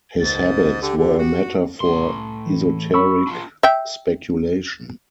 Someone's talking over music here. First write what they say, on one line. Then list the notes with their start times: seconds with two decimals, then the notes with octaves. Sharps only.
His habits were a matter for esoteric speculation.
0.20 C#2 G#2 A6
0.82 D3 G4
0.97 D3
1.19 F#4
1.80 C2 A2 C6
2.46 E3
2.94 B5 C#6 E6
3.27 D4 F4
3.63 E5 G5